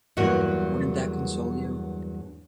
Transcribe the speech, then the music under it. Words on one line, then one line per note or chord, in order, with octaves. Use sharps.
Wouldn't that console you?
E2 G2 F#3 A#3 F#4 F#5